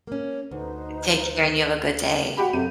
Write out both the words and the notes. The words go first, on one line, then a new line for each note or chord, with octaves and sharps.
Take care, and you have a good day.
A#3 C#4
D2 D#4 B4 C5
F#4 G4 F5 G#5 B5
F#2 C3 A4 F5 G6 D#7